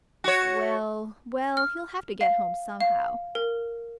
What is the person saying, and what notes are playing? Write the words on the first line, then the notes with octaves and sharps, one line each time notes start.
Well, well, he'll have to get home somehow.
F#4 C#5
F6
F5
F5
A#4